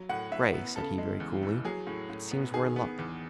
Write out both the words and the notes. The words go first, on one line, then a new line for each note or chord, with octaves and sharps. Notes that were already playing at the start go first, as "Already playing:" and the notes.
"Grey," said he, very coolly, "it seems we're in luck."
Already playing: F#3
A2 F#5
A2 E5
B3
C#3 A4
G#3
E2
E3
F#3 G#4
A2
A2
B3
D#3 G#4
B3
E2